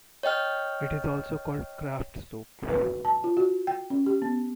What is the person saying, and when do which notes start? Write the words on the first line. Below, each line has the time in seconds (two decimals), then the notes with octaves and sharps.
It is also called Kraft soap.
0.23 C#5 D#5 G5 F6
2.69 B4
2.81 F#4
3.05 A5
3.24 F4
3.37 F#4
3.67 G5
3.90 C#4
4.06 G4
4.22 B3